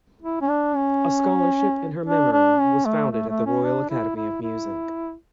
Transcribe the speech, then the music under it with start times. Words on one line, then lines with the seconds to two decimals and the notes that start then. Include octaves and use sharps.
A scholarship in her memory was founded at the Royal Academy of Music.
0.22 E4
0.41 C#4
0.49 D4
0.76 C#4
2.06 D4
2.32 D4
2.59 C#4
2.85 A3
3.12 A3
3.29 A3
3.46 C#4
3.64 D4
3.90 E4
4.16 E4
4.42 E4